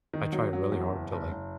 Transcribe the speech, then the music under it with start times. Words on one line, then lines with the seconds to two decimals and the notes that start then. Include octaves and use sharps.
I tried really hard to, like
0.13 D#3
0.32 F#3
0.53 F#3
0.72 E2
0.92 F#1
1.12 F#1
1.32 F#1